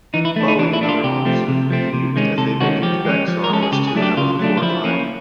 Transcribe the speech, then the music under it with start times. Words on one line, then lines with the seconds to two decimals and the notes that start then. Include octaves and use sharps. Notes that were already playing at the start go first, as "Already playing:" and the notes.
Bowie and other officers refused, as they believed Bexar was too heavily fortified.
0.14 E3 D#4
0.25 E4
0.36 A3 D4
0.48 D#4
0.58 E3 D4
0.73 E4
0.81 A3 D4
0.89 F4
1.04 C3 G4
1.25 F3 A3 C4
1.48 C3
1.70 F3 A3 C4
1.93 C3
2.16 D#3 G#3 C#4
2.38 C3 A4
2.61 D#3 G#3 C#4 F#4
2.82 F3 G4
3.05 G#3 C#4
3.28 F3
3.44 A#4
3.50 G#3 C#4 A4
3.63 G#4
3.72 C#3 G4
3.87 G#4
3.95 F#3 A3 D4
4.02 G4
4.17 C#3 F4
4.39 F#3 A3 D4
4.57 F4
4.62 F3 E4
4.84 A#3 C#4